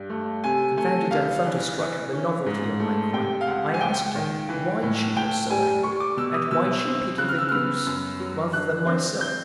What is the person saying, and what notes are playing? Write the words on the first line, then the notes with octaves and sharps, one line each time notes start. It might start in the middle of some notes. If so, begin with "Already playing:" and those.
Confounded and thunderstruck at the novelty of my crime, I asked her why she was so angry and why she pitied the goose rather than myself.
Already playing: G2
A3
C3 G#5
A3 G#5
C2 F5
E3
E3
C#4
G#2
A3
C3 G5
F5
C#2 F#5
G#5
C#2 G5
D#3
E3
A2
A2 G5
G3 G#5
G3 C#6
D6
B2 E6
D#6
B2 E6
C4
C#3 F#6
F6
E6
B3 F6
F#2
F#3
D3 F#6
C4
G6